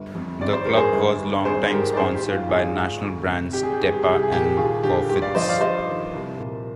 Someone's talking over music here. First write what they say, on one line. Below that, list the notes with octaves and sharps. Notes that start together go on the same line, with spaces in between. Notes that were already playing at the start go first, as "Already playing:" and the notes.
The club was longtime sponsored by national brands Tepa and Cofidis.
Already playing: G1
F2
G#1 D5
C5
G2 A#4
G#4 C5
G1
G2
G#1 G#4 C5
G#2 G4 A#4
D5
G#1 G#4 C5
G4
G#2
F4
G#1 F4 G#4
G#2
D2
C3
G#1 G4
G#4
G4
G2 G#4
G4
C2 G#4
G4
G#4
A#2 G4
G4
D#2 F4 G#4
D3 G4
G2 G4
D5 F5
F3 C5 D#5
D5 F5
G2 C5 D#5
D#3
C2
A#2